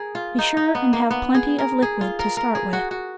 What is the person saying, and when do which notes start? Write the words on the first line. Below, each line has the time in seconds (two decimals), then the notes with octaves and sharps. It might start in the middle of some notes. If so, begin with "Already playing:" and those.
Be sure and have plenty of liquid to start with.
Already playing: G#4 A#4
0.15 F4
0.39 D#4
0.57 D#4
0.75 B3
0.93 A#3
1.10 B3
1.34 G#4
1.58 A#4
1.82 G#4
2.01 F4
2.19 A#4
2.37 A#4
2.55 G#4
2.73 F#4
2.91 F#4